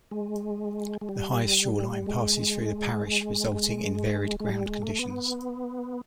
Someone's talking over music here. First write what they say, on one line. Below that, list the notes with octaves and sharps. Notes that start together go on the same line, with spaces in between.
The highest shore-line passes through the parish, resulting in varied ground conditions.
G#3
G#3
G3
G#3
G#3
G#3
G3
G#3
A3
B3